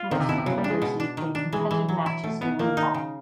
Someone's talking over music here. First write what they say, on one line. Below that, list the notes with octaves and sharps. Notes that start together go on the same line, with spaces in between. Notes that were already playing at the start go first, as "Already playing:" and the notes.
Mercer University played competitive matches during the fall.
Already playing: F4
D3 D#3
C3
B2 E4
C3
C#3 F#3
G3
D4
G#3
B2
D4
D#3
D4
E3 G#3
E3
F#3
E4
B2 A3
B2 B3
D#3 A#3
D#4
C#3